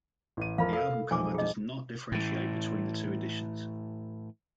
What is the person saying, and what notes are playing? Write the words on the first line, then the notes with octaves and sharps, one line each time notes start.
The album cover does not differentiate between the two editions.
A1 D#7
F2 A#4 F5 B5
A4 A#4 F5
B1 F2 G#5 D6
G#4 D#5
A2 E3